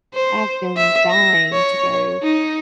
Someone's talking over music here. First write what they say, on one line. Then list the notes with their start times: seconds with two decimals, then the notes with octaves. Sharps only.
I've been dying to go.
0.14 C5
0.77 E5
1.10 A#6
1.52 C#5
2.23 D#4